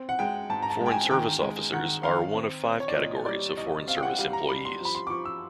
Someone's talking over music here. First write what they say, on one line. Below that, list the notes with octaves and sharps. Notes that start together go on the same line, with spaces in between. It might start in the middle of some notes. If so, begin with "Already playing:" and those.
Foreign Service Officers are one of five categories of Foreign Service employees.
Already playing: C4
F#5
G#3 G5
G#2 A5
A#5
A5
G#3
G5
G#5
D#3 G5
G#3
D#3 F#5
D#3 F5
C4
C4
C#5
D5
A#2 D#5
G3 D5
C2 D#5
C4 F5
G5
F#5
G3 F5
A#5
G3 B5
C6
F3 B5
C6
D6
F3 C#6
E6